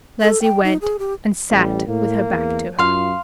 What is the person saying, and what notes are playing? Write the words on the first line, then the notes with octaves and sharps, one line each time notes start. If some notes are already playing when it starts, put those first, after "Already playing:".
Leslie went and sat with her back to her.
A4
G5
D#4
G#4
G4
A1 G3
A2 A#3
E2
F#2 F4 F5 C6